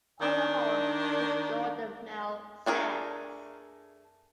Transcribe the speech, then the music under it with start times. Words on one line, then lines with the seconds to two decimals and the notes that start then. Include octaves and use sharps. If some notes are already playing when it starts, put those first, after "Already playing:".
On the whole, she scorned the male sex.
0.21 D#3 D4
2.66 A3 D4 G#4 A#4